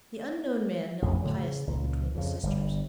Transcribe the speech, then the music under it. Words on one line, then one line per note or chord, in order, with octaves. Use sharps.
The unknown man knelt piously between the sisters.
A1 F2
A2 D3 F#3
C#3
C#2 A#2
F2 C#3
G1 G3